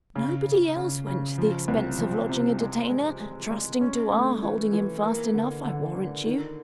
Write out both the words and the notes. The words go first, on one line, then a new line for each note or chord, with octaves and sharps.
Nobody else went to the expense of lodging a detainer, trusting to our holding him fast enough, I warrant you.
C#3
C#3
C#3
C#3
F3
C2
F3
C3
G#3
G#3
G#3
G#3
C#4
A3
E3
E3
A#3
D3
D3
D3
D#3